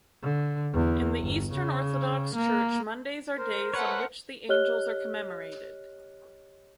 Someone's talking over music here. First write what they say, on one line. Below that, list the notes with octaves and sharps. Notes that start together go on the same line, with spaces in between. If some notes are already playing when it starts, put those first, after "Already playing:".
In the Eastern Orthodox Church Mondays are days on which the Angels are commemorated.
D3
E2
G1
C#3
A#3
A#4 C5
A3 B4 C#5 F#5
G4 C#5 D#5 F6 F#6 G7